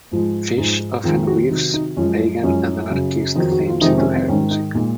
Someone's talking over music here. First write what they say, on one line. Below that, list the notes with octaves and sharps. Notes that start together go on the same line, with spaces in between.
Fish often weaves Pagan and anarchist themes into her music.
G#2 F3 G#3
G#2 F3 G#3 D#4
F2 D#3 G#3 F4
F#4
C3 D#3 F#3 D#4
D#4
F#2 F3 G#3 C#4
F#2 F3 G#3 C#4
F#2 C#3 F#3
F2 D#3 F#3 D#4
F#4
F4
F2 C3 D#3 G#3 D#4
C#4
C4
G#2 D#3 G#3 C#4
D#4
A#2 G#3 D#4